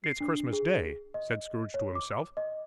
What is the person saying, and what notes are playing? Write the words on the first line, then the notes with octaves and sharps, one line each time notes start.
'It's Christmas Day!' said Scrooge to himself.
C7
D4
G#4
D#5
C#5
D6
D#5